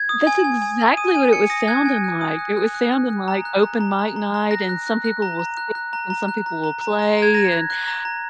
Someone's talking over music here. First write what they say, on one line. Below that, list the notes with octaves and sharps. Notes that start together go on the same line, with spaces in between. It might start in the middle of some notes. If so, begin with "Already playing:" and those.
That's exactly what it was sounding like, it was sounding like open mic night, and some people will speak, and some people will play, and Have
Already playing: G#6
D#6
G#5
G#5
G#5
G#5
D#6 D#7
G#5 D#7
G#5 C#7
D#6 A#6
F#6 G#6
G#5
F#6
D#6
F#6
F#6
F#6
F#6
F#6
A#5
F#6
A#5
A#5
A#5
A#5
A#5
F#6 A#6
F#6
F#6
F#6
A#5
A#5
F#6
F#6
A#5
A#5
F#6
A#5
A#5
A#5
A#5
A#5
G#6
A#5 A#6
F#6
F#6
A#5
A#5